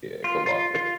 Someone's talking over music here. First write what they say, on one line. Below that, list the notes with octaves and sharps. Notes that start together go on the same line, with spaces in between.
Yeah, come on.
F4
F4
F4